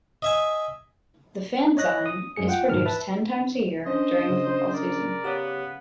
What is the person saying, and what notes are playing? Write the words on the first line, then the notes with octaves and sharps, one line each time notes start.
The fanzine is produced ten times a year during the football season.
D#5 E5 G#5
C#5 D#5 F#6 A#6
D#6
F#2 F#3 G#3 G#4 C#7
F4 F#5 G5
E2 G#2 B2 D#3 F3 F6
B4 E5 A5
C#4 D4 C5 D#5
C#3
A#4 D5
B3 G4 C#5 F5 F#5